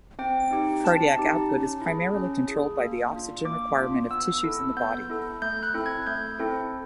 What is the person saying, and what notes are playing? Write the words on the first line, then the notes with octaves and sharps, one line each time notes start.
Cardiac output is primarily controlled by the oxygen requirement of tissues in the body.
C4 G5
D#4 G4
C4 A5
D#4 G4
C#4
E4 G#4
C#4
E4 G#4
A#3
D4 F4
A#3 D6
D4 F4
B3 E6
E4 A4
B3 G6
E4 A4
A3 G6
F#6
C4 E4 A4
G#6
A3 G6
C4 E4 A4